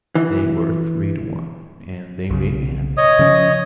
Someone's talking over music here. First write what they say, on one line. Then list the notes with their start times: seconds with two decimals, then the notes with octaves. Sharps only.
They were three to one--and they made me happy.
0.15 E3
2.30 B1 C#3
2.97 C#5 D#5 D#6
3.19 C#3 F3 C#4